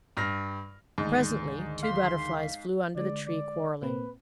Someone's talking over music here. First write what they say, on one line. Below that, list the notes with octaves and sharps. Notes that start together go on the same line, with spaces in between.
Presently two Butterflies flew under the tree, quarrelling.
G2 F6 A#6
D2 G#2 D#3 D#4
F5 C6 B6 C7
D3 G#3 D5
D5
A#2 A#3 C4 B4